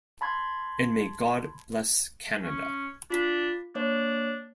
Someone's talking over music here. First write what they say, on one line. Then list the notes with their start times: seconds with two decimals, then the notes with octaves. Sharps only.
And may God bless Canada.
0.21 A5 B5 C6 G#6
2.43 C#4
3.10 D4 F4 B6
3.75 A#3 D4 C#5